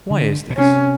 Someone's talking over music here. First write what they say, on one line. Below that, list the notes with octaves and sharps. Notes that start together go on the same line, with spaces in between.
Why is this?
D3
B2
C3 C#4